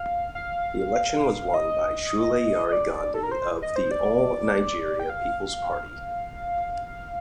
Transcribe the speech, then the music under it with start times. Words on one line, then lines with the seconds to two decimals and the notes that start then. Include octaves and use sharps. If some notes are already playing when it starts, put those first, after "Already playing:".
The election was won by Sule Yari Gandi of the All Nigeria Peoples Party.
Already playing: F5
0.35 F5
1.54 D#5
2.69 D#5
2.72 D5
3.14 A4
3.23 A#4
3.31 C5
3.62 D#5
3.76 C5
3.91 D5
5.00 G5
5.10 F5